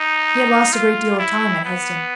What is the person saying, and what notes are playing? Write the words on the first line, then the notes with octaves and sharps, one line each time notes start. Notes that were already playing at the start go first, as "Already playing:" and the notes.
He had lost a great deal of time at Hesdin.
Already playing: D#4
F4
E4
B3